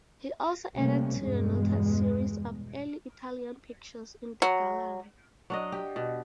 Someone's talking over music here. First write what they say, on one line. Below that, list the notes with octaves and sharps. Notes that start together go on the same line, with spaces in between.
He also added to the noted series of Early Italian pictures in the gallery.
C3 G3 A3 A#3 C#4
E2 G2 B2 G#3
F#3
F#3 D4 D#5
G4
B2